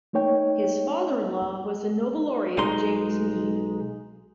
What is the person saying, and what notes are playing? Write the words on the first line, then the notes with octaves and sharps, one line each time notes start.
His father-in-law was the Nobel Laureate James Meade.
A3 A#3 D#4 C#5 G5
B1 G#3 D#4 C6